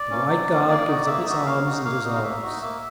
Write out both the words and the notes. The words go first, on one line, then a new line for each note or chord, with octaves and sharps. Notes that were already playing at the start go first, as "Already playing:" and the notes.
The White Guard gives up its arms and dissolves.
Already playing: D5
A#3 C#4
F#3
A#3 C#4
A#3 D5
D#4 F#4
A#3 E5
D#4 F#4
A#3 F5
D#4 F#4
A#3 F5
D#4 F#4
F5
A#3 E5
D#4 F#4
A#3 E5